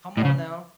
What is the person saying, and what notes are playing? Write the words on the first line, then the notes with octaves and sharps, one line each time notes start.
Come on, now.
A2
C#3